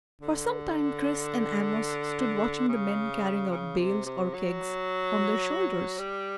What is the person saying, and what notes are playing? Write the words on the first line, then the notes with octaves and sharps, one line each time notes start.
For some time Chris and Amos stood watching the men carrying out bales or kegs on their shoulders.
D3
C#3
C#3
C3
C3
F#3
G3